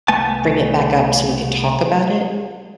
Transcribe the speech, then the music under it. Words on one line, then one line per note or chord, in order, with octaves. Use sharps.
bring it back up so we could talk about it
C2 A3 B3 G#5 A5